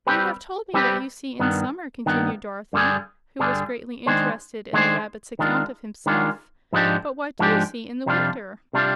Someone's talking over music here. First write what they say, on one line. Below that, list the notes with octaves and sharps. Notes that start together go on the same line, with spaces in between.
"You have told me what you see in summer," continued Dorothy, who was greatly interested in the rabbit's account of himself, "but what do you see in the winter?"
G3 C4 G4 B4
G3 C4 G4 B4
G2 D#3 B3
G2 D#3 B3
G2 D3 G3 D4 G#4
G2 D3 G3 D4 G#4
D#3 G#3 D4 G#4 C5
D#3 G#3 D4 G#4 C5
D#3 G#3 D4 F4
D#3 G#3 D4 F4
G#2 F3 G#3 D4 G4
G#2 F3 G#3 D4 G4
F2 C3 G3 D4 F4
C3 G3 D4 F4